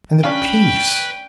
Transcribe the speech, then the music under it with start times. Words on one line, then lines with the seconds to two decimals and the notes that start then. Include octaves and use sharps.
And the peace!
0.24 C#4 D4 B4 F5 G5